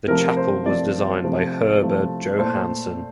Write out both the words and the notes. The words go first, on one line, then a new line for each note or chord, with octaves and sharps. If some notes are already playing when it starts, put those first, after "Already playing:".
The chapel was designed by Herbert Johanson.
C3 F3 A3 A#4
C5
C3 F3 A3 D5
C3 F3 A3
C3 F3 A3
A#2 A3 C5